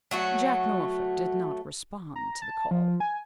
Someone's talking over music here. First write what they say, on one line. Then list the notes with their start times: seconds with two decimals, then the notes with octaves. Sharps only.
Jack Norfolk did not respond to the call.
0.11 F#3 A3 F#4
2.16 A#5
2.42 A5
2.71 F3
3.00 G#5